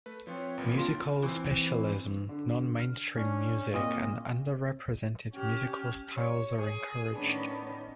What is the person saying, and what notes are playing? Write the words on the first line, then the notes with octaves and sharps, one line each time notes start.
Musical specialism, non-mainstream music and under-represented musical styles are encouraged.
A3 B4
F3 C4 F4 B4 C#5
A1 F3 A#3
C4 D4 F4 C6
E3 C4
D3
F6
C#4 D4
A#2 C4 F4 D#5
C#4 G4 F6
C#5
G#4 G#5
A2 D#3 B3 C#4 D4